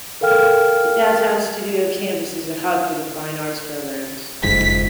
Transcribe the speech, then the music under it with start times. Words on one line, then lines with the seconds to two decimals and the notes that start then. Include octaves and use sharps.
The Downtown Studio Campus is a hub for the fine arts programs.
0.21 A4 A#4 F5 G5 F6
4.44 F#1 F2 G#2 B6